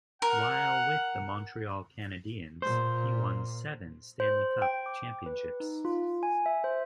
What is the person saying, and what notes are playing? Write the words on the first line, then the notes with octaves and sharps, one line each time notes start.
While with the Montreal Canadiens, he won seven Stanley Cup championships.
A#4 F#5
A#2 C5
C5
G5
D6
B4
D#4
F4
G#5
E5
C5